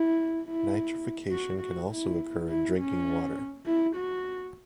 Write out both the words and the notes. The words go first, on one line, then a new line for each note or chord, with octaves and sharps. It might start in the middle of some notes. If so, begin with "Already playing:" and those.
Nitrification can also occur in drinking water.
Already playing: E4
E4
F#4
F#4
E4
E4
C#4
E4
F#4